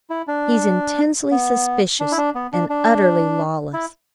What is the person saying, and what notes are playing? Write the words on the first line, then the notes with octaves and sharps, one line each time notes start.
He's intensely suspicious and utterly lawless.'
E4
D4
B3
D4
E4
D4
B3
D4
D4
E4